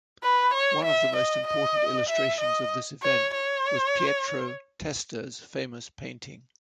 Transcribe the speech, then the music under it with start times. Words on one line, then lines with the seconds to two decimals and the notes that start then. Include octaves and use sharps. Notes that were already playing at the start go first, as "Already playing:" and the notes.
One of the most important illustrations of this event was Pietro Testa's famous painting.
0.23 B4
0.54 C#5
0.85 E5
1.16 D#5
1.47 D#5
2.09 E5
2.40 D#5
3.03 C#5
3.34 C#5